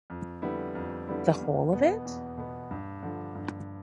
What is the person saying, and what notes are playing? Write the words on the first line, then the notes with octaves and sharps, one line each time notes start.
The whole of it?
F2
D3 G3 B3 E4
F2
D3 G3 B3 E4
E2
B2 B3
E2
B2 B3
G2
D3 F3
G2